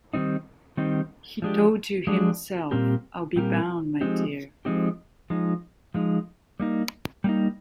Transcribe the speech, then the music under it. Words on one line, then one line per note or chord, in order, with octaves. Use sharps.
He told you himself, I'll be bound, my dear?
D#3 G3 C4 D#4
D#3 G3 C4 D#4
F3 G#3 D4 G4
F3 G#3 D4 G4
A#2 G3 C4 G4 A#4
A#2 G3 C4 G4 A#4
F3 G#3 C4 D#4 G4
F3 G#3 C4 D#4 G4
F3 G#3 D#4
F3 G#3 D#4
G3 A#3 D#4
G3 A#3 D#4